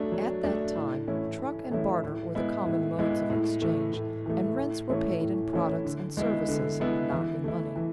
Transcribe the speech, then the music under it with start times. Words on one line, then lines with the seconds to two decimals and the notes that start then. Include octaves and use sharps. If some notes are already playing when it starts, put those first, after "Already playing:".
At that time, truck and barter were the common modes of exchange, and rents were paid in products and services, not in money.
Already playing: F#3 A3 D4
0.12 F#3
0.44 A3 D4
0.76 A2
1.07 E3 A3 C#4 E4
1.39 A2
1.71 E3 A3 C#4 E4
2.04 A2
2.35 G#3 B3 E4
2.66 A2
2.99 G#3 B3 E4
3.30 A2
3.62 E3 A3
3.94 A2
4.26 E3 A3
4.58 A2
4.90 E3 A3 C#4 E4
5.21 A2
5.53 E3 A3 C#4 E4
5.85 D3
6.17 G#3 B3 E4
6.48 D3
6.80 G#3 B3 E4
7.12 E3
7.44 A3 E4
7.76 E3